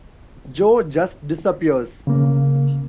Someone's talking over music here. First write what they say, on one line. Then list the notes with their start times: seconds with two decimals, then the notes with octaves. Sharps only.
Joe just disappears.
2.07 C#3 A#3